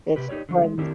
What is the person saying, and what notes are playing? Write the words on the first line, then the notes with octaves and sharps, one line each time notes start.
It's the friends.
C3 G4 B4
D#4 G4 A#4 C#5 D5
D3 F3
G#3
D#3 C4 D4 E4 G4 A#4